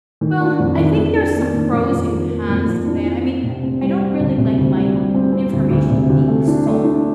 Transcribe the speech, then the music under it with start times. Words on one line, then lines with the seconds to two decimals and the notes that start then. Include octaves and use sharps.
Well, I think there's some pros and cons to that, I mean, I I don't really like my information being sold.
0.21 D#3
0.40 D4
0.59 F2
0.78 D#3
0.98 D#3
1.16 D4
1.35 A#3
1.55 D#3
1.73 F2
1.92 F2
2.11 D#3
2.31 A#3
2.49 F2
2.68 F2
2.87 D4
3.05 D4
3.25 C4
3.43 C3
3.63 C4
3.82 G3
4.01 C4
4.20 D2
4.38 C3
4.58 D2
4.76 G3
4.95 G3
5.15 C4
5.33 C4
5.53 D2
5.71 D2
5.90 C3
6.10 D2
6.28 A3
6.48 D4
6.66 A3
6.84 D4